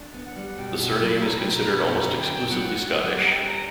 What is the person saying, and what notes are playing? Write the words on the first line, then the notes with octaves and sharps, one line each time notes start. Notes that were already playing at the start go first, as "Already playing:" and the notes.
The surname is considered almost exclusively Scottish.
Already playing: D4
B3
F#5
G3
B2 G5
F#5
B2
G5
F#3
B5
B2 A#5
B2 G5
A#5
B2
B5
B3 A#5
D3
G5
B3
F#3 F#5
F#3 F#5
G5
B3 F#5
G3 F#5
A#5
G5
C#4
A#5